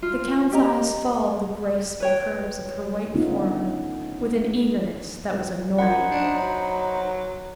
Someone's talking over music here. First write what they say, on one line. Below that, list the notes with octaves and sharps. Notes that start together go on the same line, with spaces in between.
The count's eyes followed the graceful curves of her white forearm with an eagerness that was annoying.
F4
G4 D#5 A#5
B4 C#5 G5
D3 A3 B3 C#4 D#4 F4
F#2 D#4 C5 F#5 B5 G#6
D4
F#3